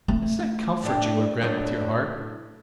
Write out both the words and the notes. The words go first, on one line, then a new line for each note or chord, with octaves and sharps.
It's not comfort you regret, with your heart!
A3 C4
A2 D4 G4
A2 F#3 D4